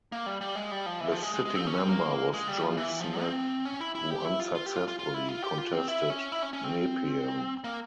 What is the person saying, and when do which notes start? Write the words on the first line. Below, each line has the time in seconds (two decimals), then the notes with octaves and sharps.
The sitting member was John Smith who unsuccessfully contested Nepean.
0.12 A#3
0.26 G3
0.41 G3
0.56 G#3
0.71 G3
0.86 F3
1.00 E3
1.11 F3
1.22 G#3
1.34 G#3
1.45 G#3
1.55 C4
1.66 C#4
1.78 C4
1.89 A#3
2.33 G#3
2.48 G3
2.63 F3
2.77 E3
3.00 F3
3.22 C4
3.65 C#4
3.80 E4
3.95 E4
4.10 G4
4.25 E4
4.40 F4
4.55 F4
4.66 G4
4.76 F4
4.88 F4
4.99 F4
5.14 E4
5.29 F4
5.44 G4
5.58 F4
5.73 C4
5.88 E4
6.10 C#4
6.32 E4
6.42 C#4
6.53 C#4
6.64 C4
7.64 A#3